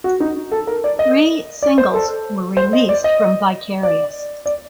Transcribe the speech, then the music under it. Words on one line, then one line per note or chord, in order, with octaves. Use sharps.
Three singles were released from "Vicarious".
F#4
D#4
A4
A#4
D5
D#5
D5
C5
A4
C5
D#5
D5
D#5
D5
D5